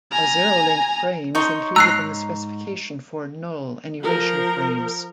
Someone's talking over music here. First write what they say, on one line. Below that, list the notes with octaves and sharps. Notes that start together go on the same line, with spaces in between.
A zero length frame is included in the specification for 'null' and erasure frames.
G#5 A#5
D#4 C#5 C6
G#2 A#5 E6 F#6 C7
F3 A#4